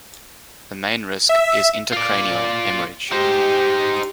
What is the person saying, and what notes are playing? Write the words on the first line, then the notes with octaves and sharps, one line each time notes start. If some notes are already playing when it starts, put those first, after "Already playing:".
The main risk is intracranial hemorrhage.
E5
F4 D5
D#4 G4 C5